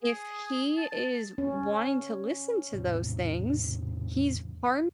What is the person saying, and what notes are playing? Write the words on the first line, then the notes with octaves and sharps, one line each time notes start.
if he is wanting to listen to those things, he's harming
G#4
A5
C#4
E2 A2 C3